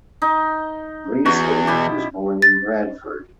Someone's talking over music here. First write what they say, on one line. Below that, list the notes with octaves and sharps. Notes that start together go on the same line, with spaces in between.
Braithwaite was born in Bradford.
D#4
E2 F#4
B2 E4 G4
A6